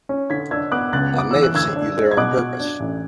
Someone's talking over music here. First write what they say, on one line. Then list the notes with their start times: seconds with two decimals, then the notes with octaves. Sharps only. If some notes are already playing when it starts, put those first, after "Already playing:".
I may have sent you there on purpose.
0.09 C#4
0.30 D3 G#6 B6
0.51 D4 E6 G#6
0.72 B3 D6 F#6
0.93 C#2 F#6 A6
1.14 B3 D6
1.31 E3 E6
1.43 F#6
1.55 D2 E6 G#6
1.76 D4
1.97 G#3
2.11 G#6
2.17 B2 D6 F#6
2.38 F#4
2.60 D4
2.80 A1